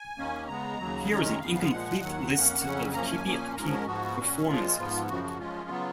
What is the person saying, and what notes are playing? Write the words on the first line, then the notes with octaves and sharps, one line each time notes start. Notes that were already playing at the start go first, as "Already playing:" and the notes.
Here is an incomplete list of keepie-uppie performances.
Already playing: G#5
D#2 D#3 A#3 C#4
C#3 G#3 B3 A#5
D#2 C#3 F#3
F#2 D#3 G#3 C#4 A#5
A#5
C#3 F3 B3 F5
F5
A#2 F3 G#3 F#5
D#2 D#3 F#3
F2 D#3 A#3 C#4
F2 C#3 F#3 C#4
F#2 F3 A#3 C#4 A#5
G#5
A#2 F3 A#3 C#4
G#2 F3 G#3 C#4 A#4
A#4
G#2 F3 B3 F#4
A#2 F#3 C#4
A#2 F3 G#3 F4
G#2 F3 B3
F#2 C#3 F3 F#4
F#4
F#2 F3 G#3 C#4 F4
C#3 F#3 B3